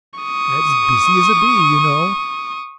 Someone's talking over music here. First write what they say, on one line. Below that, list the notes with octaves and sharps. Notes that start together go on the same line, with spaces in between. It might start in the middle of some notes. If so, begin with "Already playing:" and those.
'As busy as a bee,' you know.
C#6 D#6